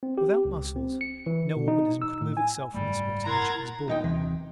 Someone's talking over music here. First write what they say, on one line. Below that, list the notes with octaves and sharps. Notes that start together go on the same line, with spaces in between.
Without muscles no organism could move itself from the spot in which it was born.
C4
G4
C#2
C4
C#7
E3
B2
D#4
E6
A2
G#5
F#1 G#2 G3 A3
E4 A#4 F#5 A#5 C6 G#6 A6
D#2 D#4 G5
D#1 C3 E3